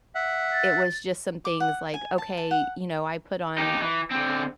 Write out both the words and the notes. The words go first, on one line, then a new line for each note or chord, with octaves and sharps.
it was just some things, like, "Okay," you know, "I put on"
E5 F#5
A6
D6
F#5
G#5
A5
A5
F#5
D#4 G4
E3
D3 C4